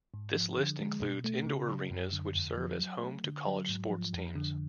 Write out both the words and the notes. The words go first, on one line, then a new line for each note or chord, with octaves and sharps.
This list includes indoor arenas which serve as home to college sports teams.
G#2
F3
D3
G#3
B2
A3
C#3
F#3
F#2
D3
F2
F3
F#3
A3
D3
F#3
G#2
F3
F2
D3